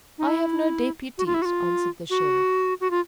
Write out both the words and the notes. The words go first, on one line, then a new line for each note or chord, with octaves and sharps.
"I have no deputies," answered the sheriff.
D#4
E4
F#4
F4
E4
F#4
F4
F#4
F#4
F4